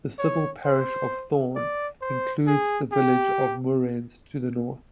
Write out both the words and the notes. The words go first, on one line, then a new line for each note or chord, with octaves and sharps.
The civil parish of Thorne includes the village of Moorends to the north.
C#5
C5
D5
C5
G#4
G4